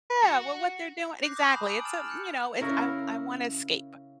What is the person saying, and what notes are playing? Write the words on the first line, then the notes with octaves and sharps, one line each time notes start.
yeah, with what they're doin exactly, it's a, you know, it's I I wanna escape.
F#4
D6 F#6 G6 A#6 C7
D6 D#6 G6 A#6
G#5 A5 B5 C6 F#6 F7
G#5 D6 E6 D7 F#7
F6 A6 E7 F7
F#6 G6 C#7
C#3 E4 A#4